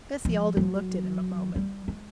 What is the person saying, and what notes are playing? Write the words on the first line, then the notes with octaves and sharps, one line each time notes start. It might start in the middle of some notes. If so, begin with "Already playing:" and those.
Bessie Alden looked at him a moment.
F3
F#3
G3
G#3